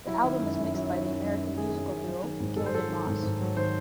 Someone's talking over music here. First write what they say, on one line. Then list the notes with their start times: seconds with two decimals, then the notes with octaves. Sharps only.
The album is mixed by the American musical duo Gilligan Moss.
0.07 F#3 E4
0.24 D#3
0.41 F#2
0.58 F#2
0.74 F#3
0.91 D#3
1.07 F#2
1.24 F#2
1.40 F#3
1.57 D#3 G#4
1.74 F#2
1.90 F#2
2.07 F#3
2.24 D#3
2.40 G#2
2.57 G#2 A4
2.66 C5
2.73 F#3 A4
2.90 D#3
3.07 G#2
3.23 G#2
3.40 F#3
3.57 D#3 C5